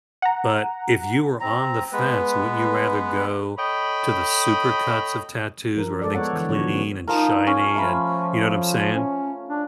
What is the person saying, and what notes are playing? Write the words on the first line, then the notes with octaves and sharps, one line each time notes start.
But if you were on the fence, wouldn't you rather go to the supercuts of tattoos where everything's clean and shiny and you know what I'm saying?
F#5 A#5
C4 A#5
G#3 B3 B4
A4 C#5 D#5 G5 B5
F3 A#4
G#3 A4 D5
B3 A4 C#5 F#5
D3 E3
D3 F3 F#3 B3 D4 C#5
B3 C#4
F3 D#4 A#4
C#4
F3 A3 F4 B5
C#4
D4